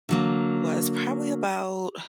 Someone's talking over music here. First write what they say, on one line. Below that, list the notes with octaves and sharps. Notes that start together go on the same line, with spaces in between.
was probably about
D3 F#3 A#3